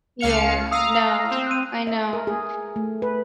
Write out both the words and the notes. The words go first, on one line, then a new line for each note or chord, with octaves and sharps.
Yeah. No. I know.
C#2 F5 C#7 F7
F5 A#5 D#6 E6 D#7
C4 F7
F#6 D#7
E5
A#4
G#4
A3
B4